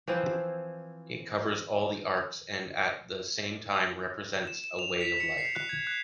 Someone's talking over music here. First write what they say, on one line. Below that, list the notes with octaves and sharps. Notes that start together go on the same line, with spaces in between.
It covers all the arts and at the same time represents a way of life.
E3 F3 C4 E4
E7
E7
F7
B6
C#7
C7
F#6
G#6
F#6